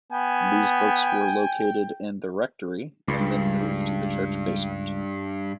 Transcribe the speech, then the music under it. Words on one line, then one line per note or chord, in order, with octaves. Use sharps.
These books were located in the rectory and then moved to the church basement.
B3 G5 G#5
C#2 G2